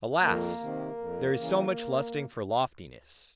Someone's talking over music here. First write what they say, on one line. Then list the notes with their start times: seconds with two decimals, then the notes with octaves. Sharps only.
Alas! there is so much lusting for loftiness!
0.22 F2 A#3
0.60 C3 D#3
0.98 F2
1.35 C#3 E3